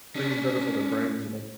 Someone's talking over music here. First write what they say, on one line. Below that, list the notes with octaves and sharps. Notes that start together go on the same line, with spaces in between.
I think it's better for their brains, you know?
C#4 D4